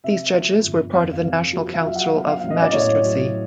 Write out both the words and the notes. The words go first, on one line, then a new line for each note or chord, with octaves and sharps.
These judges were part of the National Council of Magistracy.
C3 E5
F3
G1
F2 F5
C3
F3
F5
F#3 E5
F#5
F5
B3
F5
A1
D#5
D5
A2 C#5
F#3